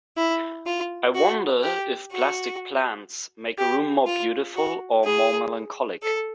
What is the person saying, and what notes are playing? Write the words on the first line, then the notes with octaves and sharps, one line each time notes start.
I wonder if plastic plants make a room more beautiful or more melancholic.
E4
F4
F#4
G4
F#4
G4
F4
F#4
G#4
A4